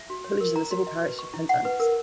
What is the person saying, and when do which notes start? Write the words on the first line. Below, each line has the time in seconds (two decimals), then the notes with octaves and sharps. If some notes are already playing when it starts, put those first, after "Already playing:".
The village is in the civil parish of Penzance.
Already playing: E5
0.10 F#4
0.24 C#5
0.41 A#4
0.56 A#5
0.71 F#4
0.87 D#5
1.03 B4
1.19 C#6
1.34 E4
1.49 F#5
1.65 B4
1.80 A#4